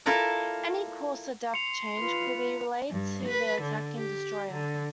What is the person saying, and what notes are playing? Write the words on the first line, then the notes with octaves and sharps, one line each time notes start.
Any course or depth change could be relayed to the attacking destroyer.
E4 F4 A4 A#4 D5
C6 C#7 F7
F4 B4
G2
B4
D3
G4
D3